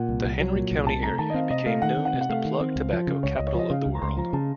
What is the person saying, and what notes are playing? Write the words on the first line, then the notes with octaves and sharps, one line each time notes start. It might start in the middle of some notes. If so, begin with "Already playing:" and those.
The Henry County area became known as the plug tobacco capital of the world.
Already playing: A#2 F#5
C2
C2
F#3
A#2
C2
C3 A5
A3 A#5
D#3 A5
D#5
C4 F5
C3 D#5
A3 F5
D#3 F#5
C4
F#5
C3
F#5
A3 F5
D#3
C4
C#2
F3
C#3
C#2 C#5
C#2 D#5
C#5
F3 D#5
C#3 F5
C#2
A#5
C#2 C6
F3 A#5
C#3 A5